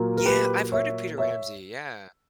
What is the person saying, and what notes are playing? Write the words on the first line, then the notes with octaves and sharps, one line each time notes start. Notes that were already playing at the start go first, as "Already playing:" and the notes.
Yeah, I've heard of Peter Ramsey, yeah.
Already playing: A#2 F#3 A#3
A#4
G4 B4
C#5 E5
C#5 E5